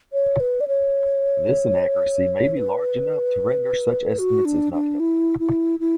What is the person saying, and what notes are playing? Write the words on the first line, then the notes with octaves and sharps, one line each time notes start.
This inaccuracy may be large enough to render such estimates as not helpful.
C#5
B4
D5
C#5
B4
F#4
D4
D4
E4
E4
E4